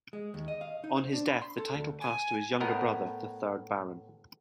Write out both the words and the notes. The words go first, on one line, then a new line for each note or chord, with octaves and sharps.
On his death the title passed to his younger brother, the third Baron.
G#3
D#2
D#5
F5
D#4
C5
D4
B5
C6
A4
D2
G#5
A2 B3 A#4 D#5